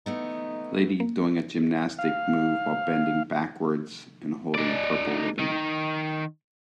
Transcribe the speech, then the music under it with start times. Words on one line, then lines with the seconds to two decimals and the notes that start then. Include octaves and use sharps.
Lady doing a gymnastic move while bending backwards and holding a purple ribbon.
0.06 E3 A3 B3 D#4
1.00 A#3
1.99 F5
4.55 D#4 D5
5.40 D#3